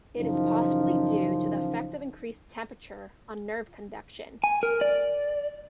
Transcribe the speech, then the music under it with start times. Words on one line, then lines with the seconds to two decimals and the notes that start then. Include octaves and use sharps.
It is possibly due to the effect of increased temperature on nerve conduction.
0.17 F#2 C#3 E3 F3 D#4
4.44 G#5
4.63 A#4
4.81 D5